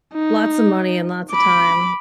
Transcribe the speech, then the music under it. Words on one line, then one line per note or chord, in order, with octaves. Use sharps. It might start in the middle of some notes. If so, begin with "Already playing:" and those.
lots of money and lots of time.
D#4
B5 D6